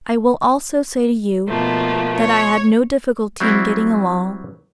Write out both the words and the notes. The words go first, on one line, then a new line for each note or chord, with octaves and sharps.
I will also say to you, that I had no difficulty in getting along.
B2 F3 A3 A#3
C#5
F#3 G3 C4 E4